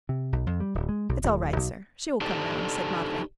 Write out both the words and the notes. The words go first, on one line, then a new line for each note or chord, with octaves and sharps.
"It's all right, sir; she will come round," said Matvey.
C3
B1
F2
G3
D1
G#3
B1
D1
B1
D4 D#4 G4 A4 C5 D5